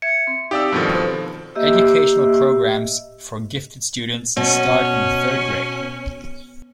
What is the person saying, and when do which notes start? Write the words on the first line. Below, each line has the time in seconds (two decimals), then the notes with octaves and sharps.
Educational programs for gifted students start in the third grade.
0.02 E5 G#6 C#7
0.27 C4
0.51 D#4 G4 D5 F5 D#6 E6
0.72 G2 B2 D#3 F3 A4 A#4
0.95 C5
1.55 A#3 G4 D#5 E5 E6
4.37 B2 C#4